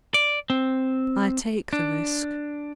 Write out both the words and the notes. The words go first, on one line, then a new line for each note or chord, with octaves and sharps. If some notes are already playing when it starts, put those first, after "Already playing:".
'I take the risk.
D5
C4
D4